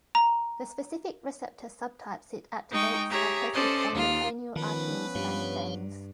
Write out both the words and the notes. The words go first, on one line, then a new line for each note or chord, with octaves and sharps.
The specific receptor subtypes it activates are present on the cranial arteries and veins.
A#5
G#3 D#4 G5 C#6
G4 G#4 C#5 E5 A#5
C#4 A4 C5 D5 D#5 C6
D#2 F4 F6
D#3 F3 B3 C#4 D#4 B4 A5
G2 G4 C#5 F5